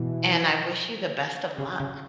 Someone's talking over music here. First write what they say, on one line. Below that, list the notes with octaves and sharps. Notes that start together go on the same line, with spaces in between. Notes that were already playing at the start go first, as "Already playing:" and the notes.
and I wish you the best of luck.
Already playing: B2 E3
C#3
C#3